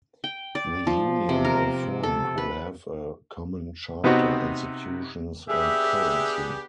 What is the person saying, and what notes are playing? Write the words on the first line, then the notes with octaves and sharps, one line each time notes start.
The union, if formed, will have a common charter, institutions and currency.
G5
D5
F3
C3
A#4
A4
B4
C3 B3 C4 D#4 F#4
B3 D4 G4 G#4 E5